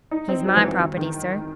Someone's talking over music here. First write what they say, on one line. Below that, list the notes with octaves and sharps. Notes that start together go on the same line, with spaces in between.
"He's my property, sir."
D#4
C4
F#3
E3
E3
D#3
D#3